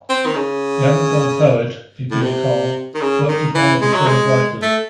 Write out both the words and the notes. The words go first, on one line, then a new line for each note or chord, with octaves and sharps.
The avant-garde poet bpNichol worked as one of the show's writers.
C4
D#3
C#3
A2
C3
D#3
C#3
D#3
E3
G#3
F#3
G#3
A3